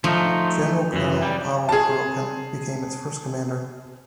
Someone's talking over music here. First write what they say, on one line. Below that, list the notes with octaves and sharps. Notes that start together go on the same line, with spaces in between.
General Colonel Pavel Kurochkin became its first commander.
F3 A3 D#4
F#2 E3
G3
G#4 A5